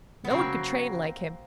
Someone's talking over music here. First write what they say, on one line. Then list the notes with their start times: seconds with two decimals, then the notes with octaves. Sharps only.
No one could train like him.
0.24 B3
0.30 C#3 F#3 A#3 C4